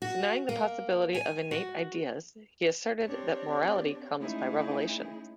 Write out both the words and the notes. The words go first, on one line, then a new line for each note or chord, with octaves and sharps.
Denying the possibility of innate ideas, he asserted that morality comes by revelation.
F#4
A#3
G#5
F#4
C4 D4 G4 C#5 D5
G#3 A3 C#4 D#4 E4 G#4